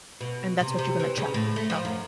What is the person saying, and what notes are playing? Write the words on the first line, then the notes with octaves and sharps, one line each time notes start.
and that's what you're gonna attract yourself.
B2
C3
C3
E3
C#3
A2
A3
F3
F#2